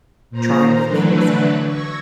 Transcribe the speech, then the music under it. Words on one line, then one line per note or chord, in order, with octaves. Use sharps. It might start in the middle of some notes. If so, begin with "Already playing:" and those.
trying new things
A#2 C5 A#5
D3 E3 F#3 A3 D4 B4
C#6 E6 G#6 A#6